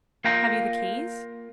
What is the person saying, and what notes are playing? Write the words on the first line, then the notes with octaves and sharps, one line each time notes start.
"Have you the keys?"
A#3 F4 G5 A#5